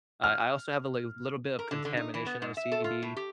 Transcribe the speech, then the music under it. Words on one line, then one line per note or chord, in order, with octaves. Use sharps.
I I also have a li little bit of contamination OCD,
F6
A#4
D3
D3
D#4
E3
B3
G#2
E5
A4
F4
A2
G4